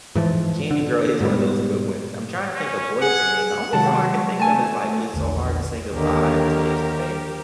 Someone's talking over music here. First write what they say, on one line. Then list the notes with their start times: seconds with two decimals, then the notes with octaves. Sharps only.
Candy Girl is one of those good ones. I'm trying to think of Boyz II Men, the only song I can think of is, like, "It's So Hard To Say Goodbye To Yesterday?"
0.15 G#2 E3 F3
0.71 D3
1.21 G#2 B2 G3
2.55 C#4
3.01 G#4 F#5
3.73 C3 D#3 F#3 G#3 F#5 A5
4.15 C#6
4.39 A3 G#5 A5
5.14 A#1 E2 D3
5.92 D#2 D3 G4 A#4